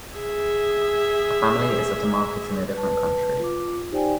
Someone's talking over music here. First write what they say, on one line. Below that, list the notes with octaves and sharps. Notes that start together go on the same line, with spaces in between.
A family is at a market in a different country.
G#4 E5
B4 A5
F4 D6
D#4 G4 C5 D5 G5 G#5